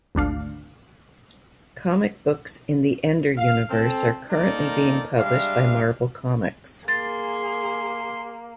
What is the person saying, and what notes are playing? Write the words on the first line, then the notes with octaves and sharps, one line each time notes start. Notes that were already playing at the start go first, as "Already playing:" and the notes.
Comic books in the Ender Universe are currently being published by Marvel Comics.
G#1 D2 D4 F5
F5
C4 A4
A#3 C4 D#4 A4 A#4 D5
G3 G#3 D4 E5 F5
A#3 G#4 C6 A6